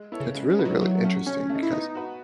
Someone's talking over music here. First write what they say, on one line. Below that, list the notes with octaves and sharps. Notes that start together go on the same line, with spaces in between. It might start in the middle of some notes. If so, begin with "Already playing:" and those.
it's really, really interesting because,
Already playing: G#3
B3 E4 A4 C#5
C#3
C#3 G#3
C#3
B3 F#4 B4 D#5
F#3
E3 F#3
A3 C#4 F#4
B2 C#4
A3 D#4
E4
B3 D#4
F#4 B4